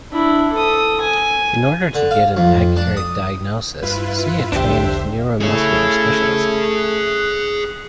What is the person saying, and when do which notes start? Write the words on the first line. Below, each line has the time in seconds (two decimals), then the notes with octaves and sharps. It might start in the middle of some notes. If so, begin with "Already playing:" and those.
In order to get an accurate diagnosis see a trained neuromuscular specialist.
0.12 D4 E4
0.53 A4 D#6
1.01 G#5
1.95 D3
2.11 F5
2.37 F2
2.77 D4
2.97 D#6
3.83 G2 E4 F4 B4
4.52 B1 E2 D3 D4 G4 C5 E5
5.41 A3 E4 G#4 C#5
6.77 F#6